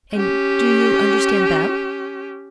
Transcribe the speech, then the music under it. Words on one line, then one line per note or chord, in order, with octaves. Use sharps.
"And do you understand them?"
C#4 G4